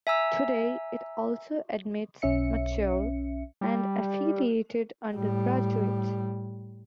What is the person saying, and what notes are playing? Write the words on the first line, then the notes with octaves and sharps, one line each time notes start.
Today, it also admits mature and affiliated undergraduates.
E5 G#5 A#5 E6
B1 C#4 E5 C#7
G3
A2 G3